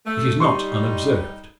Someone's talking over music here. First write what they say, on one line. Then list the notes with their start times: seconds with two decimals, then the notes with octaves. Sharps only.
It is not unobserved.
0.06 A3
0.40 G3 D#4 C6 C#6